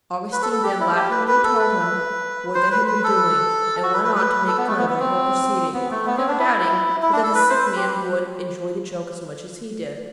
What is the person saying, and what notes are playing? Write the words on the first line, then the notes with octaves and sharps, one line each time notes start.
Augustine then laughingly told him what they had been doing, and went on to make fun of the whole proceeding, never doubting but that the sick man would enjoy the joke as much as he did.
B4
A4
A4
G4
E4
G4
B4
B4
A4
B4
C5
B4
B4
A4
F#4
B4
B4
B4
A4
B3
A3
B3
B3
C4
B3
A3
B3
C4
D4
E4
E4
D4
A4
B4
C5
B4
G4